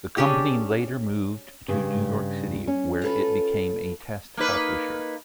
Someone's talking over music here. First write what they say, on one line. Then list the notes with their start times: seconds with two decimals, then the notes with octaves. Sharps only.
The company later moved to New York City, where it became a test publisher.
0.17 C#4 D4 G4 G#4
1.68 G2 C#3
2.67 C#4
3.02 F4 A4 B4
4.37 A#3 D#4 B4